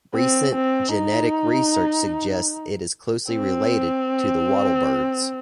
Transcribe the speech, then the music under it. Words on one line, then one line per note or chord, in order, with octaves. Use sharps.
Recent genetic research suggests it is closely related to the wattlebirds.
C4
C4
D#4
C4